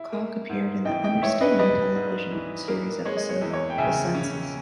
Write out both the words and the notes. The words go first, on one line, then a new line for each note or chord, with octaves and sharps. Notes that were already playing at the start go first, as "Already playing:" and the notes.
Cog appeared in the "Understanding" television series episode "The Senses".
Already playing: E4
A#3
G#2
E3 D#5 G5
D#5 G5
E4 C#5 E5
B4 D#5
G3 B4 D#5
G#2
E3
A#3
G#3 C#5
D#5
C#5
E2 D#5
C#5
G5
C#3 E5 G#5
C#4